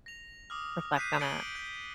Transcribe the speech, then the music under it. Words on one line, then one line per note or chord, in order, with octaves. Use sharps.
reflect on a
A#6 F7
D6 D#6 F6
F#6 G6 B6 C7 D#7
A6 C#7 D7 F#7 G7
C#7
G6